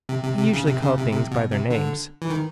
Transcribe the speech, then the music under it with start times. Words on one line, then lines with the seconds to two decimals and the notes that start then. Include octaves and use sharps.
"I usually call things by their names."
0.09 C3
0.24 C3
0.38 C3
0.54 C#3
0.67 C3
0.83 C#3
0.98 C3
1.13 C3
1.31 B2
1.51 C3
1.71 D3
2.22 E3
2.30 D#3